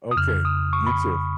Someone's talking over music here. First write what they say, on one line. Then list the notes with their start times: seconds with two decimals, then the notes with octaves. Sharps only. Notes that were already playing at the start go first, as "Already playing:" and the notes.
Okay, you too.
0.11 D#6
0.16 F2 C#3 F6
0.45 D#6
0.73 C#6
0.87 B5